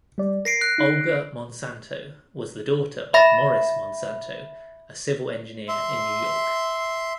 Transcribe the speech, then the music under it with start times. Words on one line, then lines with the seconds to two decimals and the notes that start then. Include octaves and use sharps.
Olga Monsanto was the daughter of Morris Monsanto, a civil engineer in New York.
0.18 G3 D5
0.45 A#4 A#6 C7 D7
0.61 F#6
0.78 D#4
3.14 E5 B5 A#6
5.68 E5 C6